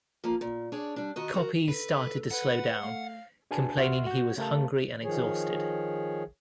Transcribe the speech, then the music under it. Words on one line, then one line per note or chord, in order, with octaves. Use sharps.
Coppi started to slow down, complaining he was hungry and exhausted.
F3 A#3
A#2
D4 G#4 C#5 D5
G3 D4
D#3 F#4 D#5
F#4 A#4
A4 B4
B4 F#5
A3 F5
D4 F#4 G#4 B4 G#5 A5
C#2 F#4 E5 C6 F6
F#4 G6
C#3 A3 G4 A#4 F5 A5
D#3 F3 G#4 C#5